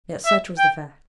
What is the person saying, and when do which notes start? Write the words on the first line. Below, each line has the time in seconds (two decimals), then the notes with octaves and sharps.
Yet such was the fact.
0.26 E5
0.58 G5